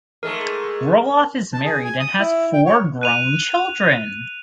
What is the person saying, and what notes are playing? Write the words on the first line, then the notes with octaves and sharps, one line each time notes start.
Roloff is married and has four grown children.
G#2 G#3 A3 A#4
A5
G#4
G#5
D#6
E4
G5
C#5
F#6 D#7 F7